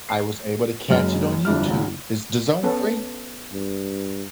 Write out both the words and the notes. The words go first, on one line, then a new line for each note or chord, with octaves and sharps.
I was able to catch it on YouTube. Is DAZN free?
C7
F#1 F#2 G#3 F6
G1 F2 D4 E4 F6
G#1 C#2
B3 C#4 A4
G2